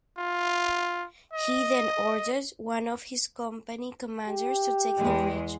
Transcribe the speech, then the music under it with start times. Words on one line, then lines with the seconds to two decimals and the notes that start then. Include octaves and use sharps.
He then ordered one of his company commanders to take the ridge.
0.18 F4
1.33 D#5
4.27 G4
4.97 E2 G#3